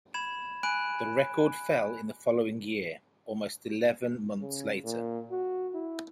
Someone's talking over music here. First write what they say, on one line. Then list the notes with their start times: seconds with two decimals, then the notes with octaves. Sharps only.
The record fell in the following year, almost eleven months later.
0.14 B5 G#6 E7
0.63 G#5 B5 F#6 D7
4.41 C#3
4.85 A#2
5.31 F#4
5.75 E4